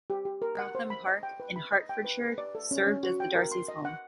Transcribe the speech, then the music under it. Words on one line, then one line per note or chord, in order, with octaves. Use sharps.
Wrotham Park in Hertfordshire served as the Darcys' home.
G4
G4
A#4
F#5
C5
B5
D#5
G5
B4
B5
D#5
G5
B4
B4
D5
A4
C#4
C#4
F#4
G5
A#4
C6
D#5
F#5